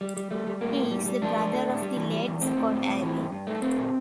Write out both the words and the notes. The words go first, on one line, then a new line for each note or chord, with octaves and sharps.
He is the brother of the late Scott Irwin.
G3
G3
G3 A3
G3
A2 A#3
A2
G3
G3
F3 D4
F3
A3
A2
G3
E3
G3
E2
A2 C4
A2
A2
A2
E3
G2
G2
A3
A3 C4
A#2